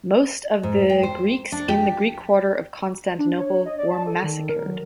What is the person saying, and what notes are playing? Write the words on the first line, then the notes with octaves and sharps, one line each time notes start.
Most of the Greeks in the Greek quarter of Constantinople were massacred.
G#2
G5
C5
D4
G4
D4
C#5
D#5
D5
A5
A4
D#3
A#4
F#3